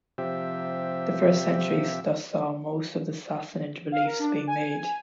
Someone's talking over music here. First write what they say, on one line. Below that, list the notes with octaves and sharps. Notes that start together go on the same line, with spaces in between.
The first centuries thus saw most of the Sassanid reliefs being made.
C3 F3 G4 E5
F5
A#4
D4
G#5